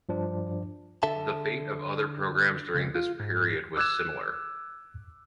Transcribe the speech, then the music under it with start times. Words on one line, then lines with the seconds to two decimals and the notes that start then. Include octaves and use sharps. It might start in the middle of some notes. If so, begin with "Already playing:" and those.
The fate of other programs during this period was similar.
0.09 G2 F3 D4
1.03 D3 A4 E5 A5
2.74 C#2
2.95 F4
3.20 G#2
3.77 D6 E6 F#6 G#6 E7